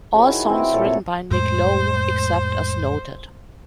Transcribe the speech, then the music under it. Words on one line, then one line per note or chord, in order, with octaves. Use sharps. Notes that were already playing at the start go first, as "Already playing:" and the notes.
All songs written by Nick Lowe except as noted.
F3 F#4 G#4 C#5
D#3 E4 F#4
E3 C4
D6
A#2 A4 A#4 C#5
C3
F2 A2 G#3 C5